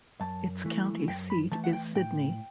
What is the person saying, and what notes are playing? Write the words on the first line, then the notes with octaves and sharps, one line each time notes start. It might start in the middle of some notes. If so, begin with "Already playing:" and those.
Its county seat is Sidney.
F#2 A5
E3 A3
F#2 G5
B5
E3 A3 A5
F#5
G5
A2 G5